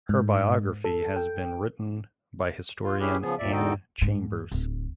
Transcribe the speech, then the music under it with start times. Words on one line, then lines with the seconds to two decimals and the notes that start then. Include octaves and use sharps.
Her biography has been written by historian Anne Chambers.
0.09 G#2
0.84 A4
1.16 G5
2.84 F4
3.00 C#4 E4 G4 G#4 B4
3.22 C#3 F3 B3 G#4
3.38 D#2 A#2 D5 E5
3.52 E2 D3 D#4 F#4 A4 G5
4.01 G#2
4.51 D1